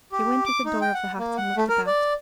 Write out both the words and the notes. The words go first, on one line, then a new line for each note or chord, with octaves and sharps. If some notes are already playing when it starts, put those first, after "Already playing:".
She went to the door of the hut and looked about.
G4
D6
D#4
G5
F#5
A#3
F#5
A3
A#4
D5